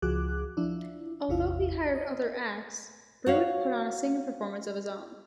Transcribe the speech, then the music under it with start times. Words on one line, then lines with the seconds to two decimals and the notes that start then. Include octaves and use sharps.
Although he hired other acts, Bruant put on a singing performance of his own.
0.02 C#2 F3 F#4 G#4 D6 F#6
0.57 F3 D4 E4
1.29 A1 E2 C3 E4 F4 F5
1.95 D#5
3.26 F#4 C#5 F5